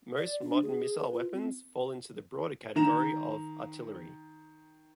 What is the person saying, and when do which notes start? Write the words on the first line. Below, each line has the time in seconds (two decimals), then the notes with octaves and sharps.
Most modern missile weapons fall into the broader category of artillery.
0.17 D5
0.42 D4
0.63 G#4
0.99 B4
1.13 F4
1.33 C4
2.76 D#3 A#5 E7